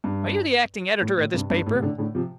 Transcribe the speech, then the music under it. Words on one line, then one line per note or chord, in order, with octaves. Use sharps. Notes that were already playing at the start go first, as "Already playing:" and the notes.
"Are you the acting editor of this paper?"
G2
A2
A2
G2 C3
G2
A2
C3
A2 D3
A2 D3
C3 F3